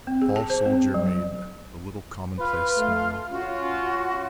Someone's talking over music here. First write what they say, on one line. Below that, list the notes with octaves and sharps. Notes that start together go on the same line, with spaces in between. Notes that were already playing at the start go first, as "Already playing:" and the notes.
The tall soldier made a little commonplace smile.
C4
G#4
A5
C5
C4
F#3
F4 B4
A3 F5
C#4 F4 F#4